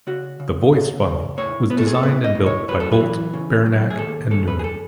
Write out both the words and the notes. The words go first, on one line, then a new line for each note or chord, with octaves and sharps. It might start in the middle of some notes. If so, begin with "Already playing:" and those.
The Voice Funnel was designed and built by Bolt, Beranek and Newman.
C#3 F#4
C#3
C#3
C#3
A2 C#5
B3 B4
A4
G#4
A4
A2 B4
D#5
A2
C#5
F#2 B4
A4
B4
E3
C#3
F#2
G#4
D#2 A4
C#3 A4
B4
G#4
A4